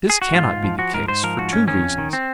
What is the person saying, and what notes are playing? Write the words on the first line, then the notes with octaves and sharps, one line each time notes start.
But this cannot be the case for two reasons.
G#4
F#4
G#2 F4
G#2
F3
F3 F#4
G#2 A#4
G#2 C5
F3 A#4
G#2 F#4
G#2 C#4
D#3 C#4
F2
D#3
C4